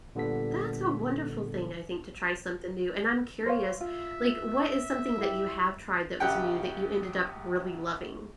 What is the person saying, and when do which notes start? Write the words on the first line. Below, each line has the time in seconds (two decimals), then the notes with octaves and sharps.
That's a wonderful thing, I think, to try something new and I'm curious, like, what is something that you have tried that was new that you ended up really loving?
0.15 A#2 D3 G3 B3 A4 B6
3.46 C5 C#5 F5
3.81 F4 E5
5.18 E4 G4
6.20 A#1 C#3 G4 F#5 G5 F#6